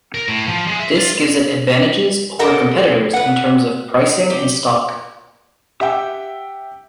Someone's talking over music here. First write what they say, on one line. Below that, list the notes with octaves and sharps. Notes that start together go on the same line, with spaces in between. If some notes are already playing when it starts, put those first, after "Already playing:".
This gives it advantages over competitors in terms of pricing and stock.
A#4
A2
F3
G#3
E5
F4
G4 A4 A#4 D#5 F#5
B4 F#5
G4
G4 E5 F#5 G5